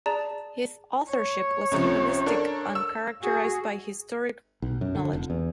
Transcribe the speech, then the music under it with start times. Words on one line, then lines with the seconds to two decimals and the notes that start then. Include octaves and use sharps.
His authorship was humanistic and characterized by historic knowledge.
0.06 G#4 D5 A5 A#5
1.11 C#5
1.71 C#2 C3 F3
2.26 D4 A4 A#4
2.75 E6
3.21 F#4 G#4
4.62 B1
4.81 F#2
4.95 D3
5.13 F1
5.30 E2